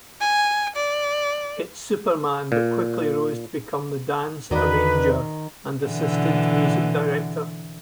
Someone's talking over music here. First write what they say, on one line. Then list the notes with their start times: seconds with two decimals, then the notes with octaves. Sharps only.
It's Superman but quickly rose to become the dance arranger and assistant music director.
0.21 G#5
0.76 D5
2.52 A#2
4.51 E2 D#3 F#4 B4 D5
5.84 B2 D3 E3